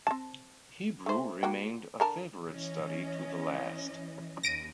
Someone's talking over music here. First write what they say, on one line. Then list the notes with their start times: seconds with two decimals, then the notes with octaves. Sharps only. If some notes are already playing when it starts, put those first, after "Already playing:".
Hebrew remained a favorite study to the last.
0.07 C4 A5
1.06 A3 C5
1.43 A#3 F#4 G5
2.00 D3 A#4 A5
2.50 E3 C#4 D#5
4.43 D#2 A#6 D7 D#7